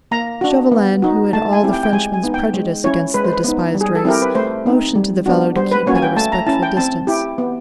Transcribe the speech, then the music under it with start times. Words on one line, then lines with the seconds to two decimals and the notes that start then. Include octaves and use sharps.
Chauvelin, who had all the Frenchman's prejudice against the despised race, motioned to the fellow to keep at a respectful distance.
0.11 A#3 A#5
0.41 D4 F#4
0.72 B3
1.02 D#4 F#4
1.33 A3 A5
1.53 G#5
1.63 C4 E4 G4
1.73 G5
1.83 G5
1.93 G#3 G#5
2.14 G#5
2.23 B3 D#4
2.34 G5
2.54 G#3
2.84 C#4 E4 C#5
3.14 G#3 B4
3.24 C5
3.33 B4
3.44 B3 D#4
3.74 G3
3.81 G#4
3.95 A4
4.05 C4 E4 G4 A#4
4.22 B4
4.35 A3 C5
4.66 C4 D#4
4.95 G3
5.26 B3 D4 F#4
5.56 G3 C5
5.71 B4
5.86 A#3 C#4 F#4 C#5
5.96 G#5
6.02 G5
6.16 A3 A5
6.32 A#5
6.47 C#4 E4 A5
6.63 G5
6.77 C4 A5
7.07 E4 G4
7.38 B3